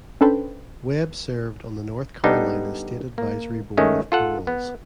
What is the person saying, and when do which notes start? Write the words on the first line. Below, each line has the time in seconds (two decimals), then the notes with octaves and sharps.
Webb served on the North Carolina State Advisory Board of Paroles.
0.21 C#4 D4 A4 B4 C5 G5
2.24 G3 B3 D4 D#4 A4
3.18 A#3
3.77 D#3 G#3 A3 C#4
4.12 F4 A4 F#5
4.47 B3